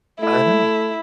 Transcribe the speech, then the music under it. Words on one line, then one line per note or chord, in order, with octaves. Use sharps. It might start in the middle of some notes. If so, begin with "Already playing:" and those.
I know.
A3 E4